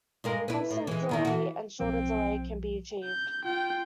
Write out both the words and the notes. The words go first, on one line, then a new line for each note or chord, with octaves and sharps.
Constant delay, and shorter delay, can be achieved.
G2 G#3 A#4
E4 B4
A2
E3 G#3
E2 D#3 E4
E3 F#4
B1 F3 C4
G6
F4 G5